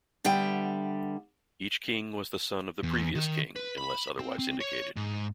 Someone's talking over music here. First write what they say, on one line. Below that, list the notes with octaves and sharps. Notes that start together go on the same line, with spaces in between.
Each king was a son of the previous king, unless otherwise indicated.
D3 G3 B3 E5 G5
E2
D#3
B4
B5
C4
C4
C#5
G#2